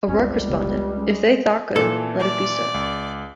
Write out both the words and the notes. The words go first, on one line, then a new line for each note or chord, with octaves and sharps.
O'Rourke responded, "If they thought good, let it be so".
G#1 C#2 F#2 C4 C#4
G3 C5
F#1 C#3 B3 G4
G#3 C#4
A#2 E3 A4
D5
C#2